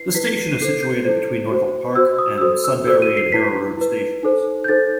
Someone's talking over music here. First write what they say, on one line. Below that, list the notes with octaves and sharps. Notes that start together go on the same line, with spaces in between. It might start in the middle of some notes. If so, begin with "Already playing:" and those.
The station is situated between Northolt Park and Sudbury and Harrow Road stations.
Already playing: E4 B4 C7
E4 B4 B6
B6
C7
D#7
E4 A4 C5 C7
G6
E4 A4 C5
F#4 C5
F#4 C5 E6
D#6
E6
F#4 A4 C5 D#6
E6
F#4 A4 C5 E6
D#7
C7
E4 B4 B6
E4 B4
D#4 A4 C5
G6
D#4 A4 C5 A6